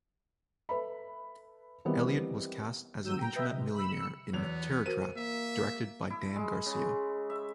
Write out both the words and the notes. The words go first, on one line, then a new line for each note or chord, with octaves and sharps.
Elliott was cast as an Internet millionaire in "Terror Trap", directed by Dan Garcia.
A4 B4 E5 B5
D#3 E3 G3 B3 C4
D#3 F#3 E6 G6 D#7
G5 A#5
B4 D#5 E5 G5
C3
B5 E6
E6 C#7
E2 F#3 B3 F7
F#4 A#4 C5 D#7
A#3 E5
E4
G#3
C#3
E5